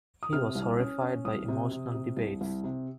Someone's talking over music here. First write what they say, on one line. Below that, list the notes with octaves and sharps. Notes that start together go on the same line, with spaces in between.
He was horrified by emotional debates.
D#6
C3 F6
C2
C#4
C#4
C2 D#6
C3
C3
C3
C2
C2
C3